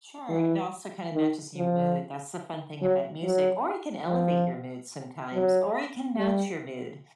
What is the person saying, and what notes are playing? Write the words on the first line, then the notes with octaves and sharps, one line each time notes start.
Sure, it also kind of matches your mood, that's the fun thing about music, or it can elevate your mood sometimes, or it can match your mood.
E3
D#3
F3
F#3
F#3
F3
F#3
G3